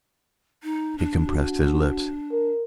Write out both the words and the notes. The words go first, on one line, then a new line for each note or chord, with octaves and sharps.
He compressed his lips.
D#4
D4
F#4
A#4